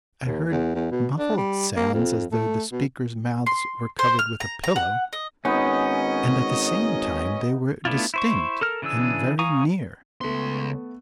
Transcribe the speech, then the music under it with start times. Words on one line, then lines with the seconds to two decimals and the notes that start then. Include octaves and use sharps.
I heard muffled sounds as though the speakers' mouths were covered with a pillow, and at the same time they were distinct and very near.
0.25 D#2
0.51 E2
0.75 E2
0.91 B2
1.19 D4
1.37 G3
1.76 A#3
1.94 F2
2.32 A3
2.72 B2
3.46 C6
3.99 C5
4.19 F6
4.40 A#5
4.64 A#5
4.76 F#5
5.13 D#5
5.45 G#1 B3 C#4 D#4 D#5
7.85 A3 B3 D4 E4 F4
8.14 E4 C5 C#6
8.61 A4 A#4 F6
8.82 C#3 E3 D4 G#4 E6
9.39 F5 G#5 A#5 C#6 D#6
10.21 C#2 A3 B3 C6